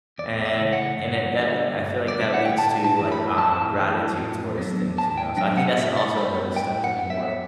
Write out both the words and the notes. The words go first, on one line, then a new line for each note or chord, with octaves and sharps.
And and at that I feel like that leads to, like, uh, gratitude towards things, you know. So, I think that's also another step to be more,
E2 D5
E5
C#3 E3
F#5
G2
D3 G3
G2
D5
D3 G3 E5
F#5
G5
A2 A5
A5
E3 A3 E4
B5
A2 A5
E3 A3 E4
A2
F#3 B3 D4
A2 A5
G5
F#3 B3 D4 G5
F#5
A2 E5
D5
G3 B3 B5
A2 G5
F#5
G3 B3
E5